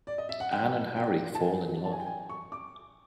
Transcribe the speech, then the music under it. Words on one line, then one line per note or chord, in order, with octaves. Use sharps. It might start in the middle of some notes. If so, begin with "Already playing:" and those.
Anne and Harry fall in love.
D5
D#5
E5
F#5
G5
G5
A5
G#5
A5
G#5
G5
G#5
C#6
D6